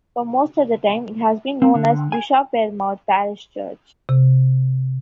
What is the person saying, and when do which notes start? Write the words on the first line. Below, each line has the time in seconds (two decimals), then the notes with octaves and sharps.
For most of that time, it has been known as 'Bishopwearmouth Parish Church'.
1.62 C4
1.75 D3
2.12 G#5
4.09 C3